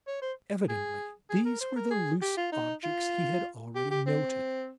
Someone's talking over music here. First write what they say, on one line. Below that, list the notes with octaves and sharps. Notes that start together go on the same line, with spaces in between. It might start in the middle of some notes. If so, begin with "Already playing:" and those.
Evidently these were the loose objects he had already noted.
C#5
C5
G#4
G#4
A#4
C5
A#4
G#4
G4
F4
D#4
F4
G4
G4
C4